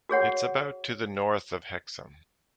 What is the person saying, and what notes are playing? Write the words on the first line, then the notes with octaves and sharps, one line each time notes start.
It is about to the north of Hexham.
F#4 G#4 C#5 F#5